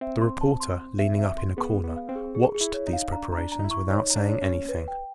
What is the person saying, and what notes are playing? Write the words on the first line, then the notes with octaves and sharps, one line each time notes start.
The reporter leaning up in a corner, watched these preparations without saying anything.
C4 E5
C6
A5
C6
C6
E5
E5
C6
B3 G#4
G#4
B3
F5
C4
G#4
G#4
G#4
E4
C#5
D#4
F5
D4 A#5
A#5
D4
A#5
D#4
E4
C#6
D#4 C#5
A#5
D4
C#5
C#4
C#5
B4
G5